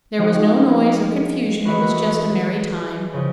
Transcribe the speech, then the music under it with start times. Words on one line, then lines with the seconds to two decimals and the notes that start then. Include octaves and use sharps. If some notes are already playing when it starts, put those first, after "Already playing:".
There was no noise or confusion; it was just a merry time.
0.18 F3 G#3 C4 D#4 F#4
1.65 E3 G#3 C#4 F#4 B4
3.13 C#3 F3